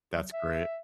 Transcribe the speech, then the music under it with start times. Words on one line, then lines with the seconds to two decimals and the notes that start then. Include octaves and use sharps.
That's great.
0.13 F#3
0.33 E5